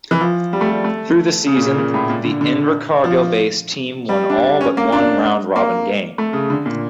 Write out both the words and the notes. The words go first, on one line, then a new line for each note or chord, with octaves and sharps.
Through the season, the Invercargill based team won all but one round robin game.
E3
F3
G3
A3
G3
A3
C#3
A#2
C#3
A#2
A2
A#2
D3
D3
F3
G3
D4
C#4
A#3
D4
A#3
A3
C#3
D3
A#2